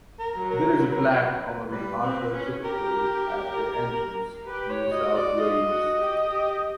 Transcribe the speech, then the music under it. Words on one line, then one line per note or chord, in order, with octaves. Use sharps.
There is a plaque honouring Arthur Chipperfield at The Entrance, New South Wales.
A#4
F#3
A#4
B4
A#4
B4
G3 B4
C4
C#4
G4 A#4
G4 B4
C#5
F#4 D#5
D5
F4 D#5
F#4
G4
G4